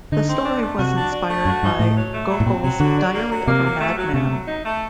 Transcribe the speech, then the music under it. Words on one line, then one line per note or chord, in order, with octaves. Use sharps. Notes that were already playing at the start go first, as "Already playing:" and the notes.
The story was inspired by Gogol's "Diary of a Madman".
D3 D#4
C4
D4
A3
C3 F#4
D4
D4
A3
F#2 F#4
G2 D#4
A2 A3
F#3
A3
F#3
A2
A#2 C4
C3 F#3
D3 F#4
D4
A#3
F#3
C3 A#3
F#3
A3
F#3
C3 A3
F#3
D#4
A3